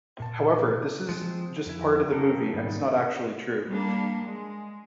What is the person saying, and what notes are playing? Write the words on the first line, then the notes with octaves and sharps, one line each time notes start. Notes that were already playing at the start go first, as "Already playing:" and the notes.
However, this is just part of the movie, and is not actually true.
A#2 A5
F3 G#3 A3 C4
F2 E4
F#3 G4 A4 A#4
G#2 D#3 G3 D#4
G3 A#3 D4
G#3